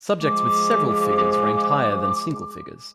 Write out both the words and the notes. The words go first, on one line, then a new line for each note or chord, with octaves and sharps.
Subjects with several figures ranked higher than single figures.
F3 G#3 D6